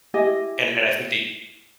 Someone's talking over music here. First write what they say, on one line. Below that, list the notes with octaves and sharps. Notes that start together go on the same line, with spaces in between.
and and I think they
E4 G4 D#5 G#5